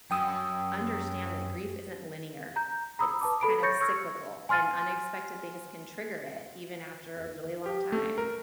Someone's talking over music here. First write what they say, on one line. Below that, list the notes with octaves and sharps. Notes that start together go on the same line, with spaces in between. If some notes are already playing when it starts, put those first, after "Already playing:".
understand that grief isn't linear. It's kind of cyclical, and unexpected things can trigger it even after a really long time.
F#2 G5 D#6 E6
A#5 G6
A#5 B5 D#6 E6
B4 A5 D6
A4 B5 D7
C#5 C#6 G6 A6 A#6 C#7
C#6 E6 F6 G#6 A#6 C#7
G#5 C6 F6 A6 D#7
G4
A3
A#4